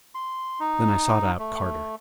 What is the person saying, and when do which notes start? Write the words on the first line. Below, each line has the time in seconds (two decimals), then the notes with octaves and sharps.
Then I sought out Carter.
0.15 C6
0.60 D#4
1.39 A3